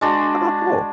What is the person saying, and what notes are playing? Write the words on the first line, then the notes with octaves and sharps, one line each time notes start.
Oh, cool.
G#3 D4 F#4